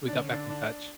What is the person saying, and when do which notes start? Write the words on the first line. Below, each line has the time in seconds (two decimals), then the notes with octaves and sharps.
we got back in touch,
0.08 D4
0.13 D3 C#4
0.31 D4
0.50 D4